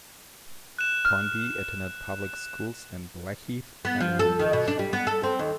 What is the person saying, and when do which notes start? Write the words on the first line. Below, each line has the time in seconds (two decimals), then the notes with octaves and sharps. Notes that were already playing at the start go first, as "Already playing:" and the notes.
Toynbee attended public schools in Blackheath and Woolwich.
0.78 F#6 E7
1.05 F6
3.85 B3
4.00 F3
4.19 A4
4.39 D#3
4.53 B2
4.68 D4
4.79 G3
4.93 B3
5.07 A4
5.23 C4
5.39 D#2